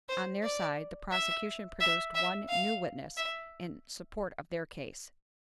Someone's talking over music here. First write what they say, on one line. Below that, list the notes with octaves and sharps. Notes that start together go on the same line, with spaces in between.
On their side, the prosecution produced one new witness in support of their case.
C5
D5
E5
E5
E5
F5
E5